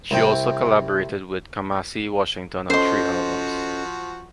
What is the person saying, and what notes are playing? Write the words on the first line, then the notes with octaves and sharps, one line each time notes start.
She also collaborated with Kamasi Washington on three albums.
C2 C3 G5
F3 C#4 F#4 A4 C5 D#5 C6